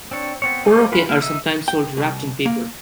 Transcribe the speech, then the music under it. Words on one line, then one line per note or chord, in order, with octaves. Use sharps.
"Korokke" are sometimes sold wrapped in paper.
C4 D4 C#5
B3 C4 C#5
D#4 A4 C5 D6
F4 G#4 B4 B5
A#3 E4 A#4
D#4 E5
G5
C2
A#3